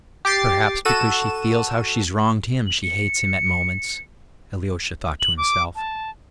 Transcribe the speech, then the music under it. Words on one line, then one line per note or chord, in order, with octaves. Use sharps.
"Perhaps because she feels how she's wronged him she hates him at moments," Alyosha thought to himself.
G4 D6 A6 C7
F#4 A4 D#7 E7
F#7
C#7
F#7
D6
A5